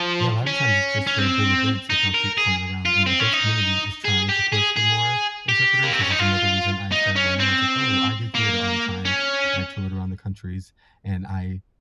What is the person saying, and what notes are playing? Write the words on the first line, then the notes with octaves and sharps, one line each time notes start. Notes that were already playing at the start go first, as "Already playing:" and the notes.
Yeah. A lot of times, it's just for big events that they'll keep someone around, and the deaf community is trying to push for more interpreters, which is another reason I started learning. I was, like, "Oh, I do theater all the time," and I toured around the countries. And I
Already playing: F3
C#4
C#4
C4
D#4
A#4
G#4
F4
C4
C#4
D#4
G#4
G4
G#4
G#4
G4
A#3
C4
C#4
D#4
F4
D#4
C#4
C4
A#3
C#4